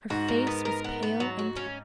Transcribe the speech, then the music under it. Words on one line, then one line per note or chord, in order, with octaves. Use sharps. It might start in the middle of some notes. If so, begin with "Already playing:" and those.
Her face was pale and tense.
G#2 F#4
A#4
B3
A#4
B3
B3
F#3
F#4
C#4